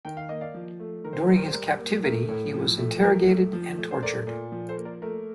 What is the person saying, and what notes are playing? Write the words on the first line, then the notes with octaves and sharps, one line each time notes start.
During his captivity, he was interrogated and tortured.
D#3 G5
F5
A#3 D#5
D5 F5
F3
A3
D#3 A#4
C5
A#4
G3 C5
A#4
C5
G3 A#4
A#3
A3 A#4
A2
F3
A3
F3 A#4
A3
F3
A3
C5
A3 A#4 D5
A#2
F3
A4 C5
A#3
A#4 D5
A3 A#4